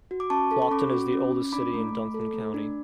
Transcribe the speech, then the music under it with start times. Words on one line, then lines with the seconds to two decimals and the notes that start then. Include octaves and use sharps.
Clarkton is the oldest city in Dunklin County.
0.11 F#4
0.20 D6
0.30 C#4 A5 C#6
0.51 A4
0.62 C#6
0.71 C#4 B5 D6
0.92 F#4
1.13 C#4
1.32 C#4
1.53 D4 B5 D6
1.74 A3
1.93 A3
2.14 A4
2.34 A3
2.54 D4